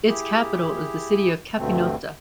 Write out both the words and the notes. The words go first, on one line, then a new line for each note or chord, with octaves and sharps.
Its capital is the city of Capinota.
E4 G4 G#4
D2 G2 B2 D3 A3 C4